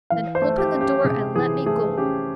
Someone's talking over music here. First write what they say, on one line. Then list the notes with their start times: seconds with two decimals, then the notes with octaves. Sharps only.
"Then open the door and let me go."
0.10 E3 F5
0.35 C5
0.42 A3
0.58 G4
0.73 C#4
0.81 G4
1.04 C3 G#4
1.35 E3 G#4
1.66 A3 G#4
1.98 C#4 G4